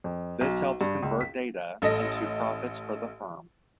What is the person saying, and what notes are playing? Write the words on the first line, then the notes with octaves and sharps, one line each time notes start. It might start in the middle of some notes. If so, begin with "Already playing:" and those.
This helps convert data into profits for the firm.
F2
B1
G2
C#2
B6
A1 A4 D#5 A#6